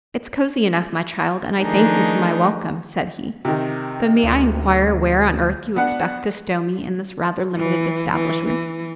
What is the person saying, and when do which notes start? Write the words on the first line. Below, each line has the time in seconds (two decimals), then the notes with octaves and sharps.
"It's cozy enough, my child; and I thank you for my welcome," said he. "But may I enquire where on earth you expect to stow me in this rather limited establishment?"
1.60 D#3 F3 A3 D4 D#4 G#4
3.45 C3 D#3
4.23 D2
5.76 B3 D4 F#5
7.57 E3
8.12 E3
8.46 E3